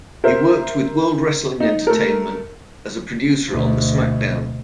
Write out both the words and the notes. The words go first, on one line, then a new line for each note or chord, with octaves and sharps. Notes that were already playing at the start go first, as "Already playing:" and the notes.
He worked with World Wrestling Entertainment as a producer on the SmackDown!
A#4 C5 E5
D#4
A3 A4 A#4
D2 B2